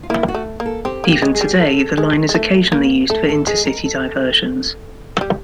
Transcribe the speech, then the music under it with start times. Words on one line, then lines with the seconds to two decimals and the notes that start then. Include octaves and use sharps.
Even today, the line is occasionally used for inter-city diversions.
0.03 F4
0.10 A#3 E4
0.28 F#4
0.35 A3
0.60 A#3
0.66 A4
0.85 C4 G4
1.04 A#3
1.10 G4
1.22 G#3
1.35 G#4
1.41 G3
1.60 A4
1.98 G#3
2.29 G#3
2.34 A3
2.72 A#3
3.10 A3 A4
3.29 A4
3.47 G#3 G#4
3.66 A#4
3.85 A4
5.21 G3